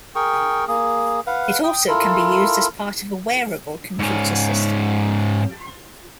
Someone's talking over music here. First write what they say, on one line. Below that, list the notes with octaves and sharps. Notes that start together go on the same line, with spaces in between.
It also can be used as part of a wearable computer system.
G#4 A#4 G5 C#6
A#3 G#4
B4 F5 F#5
G5 D#6
E4 F4 A4 A#4
G#2 C#4